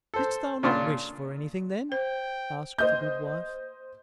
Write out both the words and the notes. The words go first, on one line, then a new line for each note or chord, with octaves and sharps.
"Didst thou not wish for anything then?" asked the good wife.
A4 C5
A#2 C#3 D4 F4
C5 G5
C5 D#5 G6